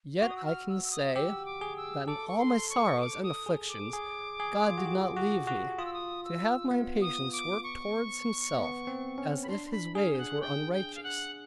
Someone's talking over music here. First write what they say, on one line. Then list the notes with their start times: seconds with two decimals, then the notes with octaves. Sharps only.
Yet I can say, that in all my sorrows and afflictions, God did not leave me to have my impatience work towards Himself, as if His ways were unrighteous.
0.20 F#4 D6
0.29 D#6
0.36 E6
0.46 F6
0.69 E6
0.84 E6
0.91 D#6
1.15 G4 E6
1.46 D6
1.61 G#4
1.77 E6
2.07 A4 D6
2.28 C#6
2.39 C6
2.70 C#6
3.01 D6
3.23 D#6
3.46 G#4
3.69 D6
3.93 G#4
4.40 G#4
4.69 F4
4.78 F#4
4.86 G4
5.16 F#4
5.47 F#4
5.78 F4 D#6
5.86 E6
5.94 D#6
6.25 E6
6.71 B3
7.02 D#6
7.33 D6
7.64 C#6
8.56 B3
8.87 C4
9.18 C#4
9.43 B5
9.49 D4 C6
9.67 C6
9.72 B5
9.95 G#4 F5
10.13 G5
10.18 F#5
10.41 G5
10.73 G5
10.95 F5
11.04 F#5